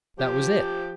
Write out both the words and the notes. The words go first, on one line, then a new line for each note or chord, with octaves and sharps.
That was it!
F3 G4